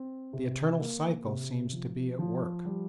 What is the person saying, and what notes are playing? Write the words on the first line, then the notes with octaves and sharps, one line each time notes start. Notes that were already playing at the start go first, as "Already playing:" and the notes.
The eternal cycle seems to be at work.
Already playing: C4
C3
A#3
C3
F3
F3
G3